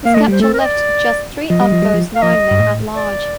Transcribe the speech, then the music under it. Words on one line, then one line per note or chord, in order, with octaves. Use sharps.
His capture left just three of those nine men at large.
A#3 F5
A3 D#5
G3 C5
A3 A4
A#4
D#5
D5
F3 D#5
G3
F3
G3
F3
F5
F3 D#5
G2
A2
D5